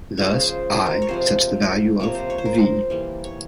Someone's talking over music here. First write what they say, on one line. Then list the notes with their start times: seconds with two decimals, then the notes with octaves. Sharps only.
Thus "I" sets the value of "V".
0.18 C#3 F3 G#3 C#5
0.41 C5
0.75 C5
0.86 A#4
1.02 C#5
1.09 C3 F3 G#3 C5
2.00 C3 F3 A#3 C#5
2.15 C5
2.30 C#5
2.38 C5
2.45 A#4
2.54 C5
2.90 E3 G3 A#3
3.24 C#5